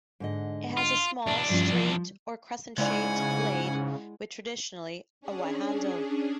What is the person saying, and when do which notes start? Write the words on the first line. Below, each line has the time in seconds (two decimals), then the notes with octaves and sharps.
It has a small, straight or crescent-shaped blade with traditionally, a white handle.
0.20 G#2 D3 D#5
0.77 F4
1.27 E2 B2 D4 D5
1.49 G2 F3 C#4
1.72 F3
2.78 G#2 C#3 G#3 E4 D5 F#5 G#5
5.21 C#4 D4 G#4